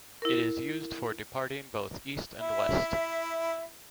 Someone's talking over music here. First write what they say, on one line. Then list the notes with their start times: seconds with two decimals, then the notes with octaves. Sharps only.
It is used for departing both east and west.
0.22 E4 A#4
2.40 E4 E5